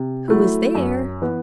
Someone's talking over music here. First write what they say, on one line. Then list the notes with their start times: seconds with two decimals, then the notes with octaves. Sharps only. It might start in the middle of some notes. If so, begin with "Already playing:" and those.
"Who is there?"
Already playing: C3
0.28 F#3 A3 E4
0.75 F#2
1.22 E3 B3